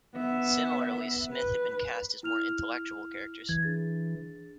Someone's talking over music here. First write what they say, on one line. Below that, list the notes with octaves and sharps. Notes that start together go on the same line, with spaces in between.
Similarly, Smith had been cast as more intellectual characters.
B3 E5
B4
E4 F6 F7
E3 G#6
D4 G#4 A6